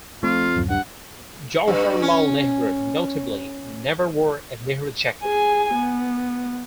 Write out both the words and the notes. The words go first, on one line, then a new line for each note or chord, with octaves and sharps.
Jawaharlal Nehru, notably, never wore a Nehru jacket.
F2 A3 F4
D1 F#2
G2 F#5
G2
C#4
G#4 G#5
B3